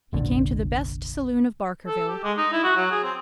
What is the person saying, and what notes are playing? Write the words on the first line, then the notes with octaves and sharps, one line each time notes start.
He came to the best saloon of Barkerville.
F1 A#1 A#2 D3
A4
G4
G#3
D#4
E4
F#4
F#3
G#4
C4